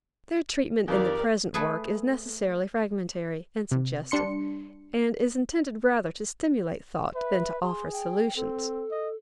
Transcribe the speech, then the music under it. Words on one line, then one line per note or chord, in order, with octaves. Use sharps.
Their treatment in the present work is necessarily fragmentary and suggestive; and is intended rather to stimulate thought, than to offer solutions.
F2 D#3 G4 A#4 D5
A3 G#4 B4
C3
G3 D4 C6 C#7
B4 E5
G#4 C6
G5
C4 A4
D#5